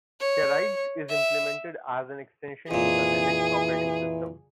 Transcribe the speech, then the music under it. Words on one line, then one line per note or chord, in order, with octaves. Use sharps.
Kerrighed is implemented as an extension to the Linux operating system.
C#5
E5
F2 A#2 E3 G#4